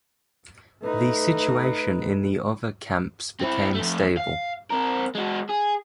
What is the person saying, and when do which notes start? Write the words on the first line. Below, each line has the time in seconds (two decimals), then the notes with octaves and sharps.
The situation in the other camps became stable.
0.83 A3 D#4 B4
3.40 C4 E4
3.75 F2 A3
4.17 F5
4.70 C4 A#4
5.15 G#3 F#4
5.49 G#4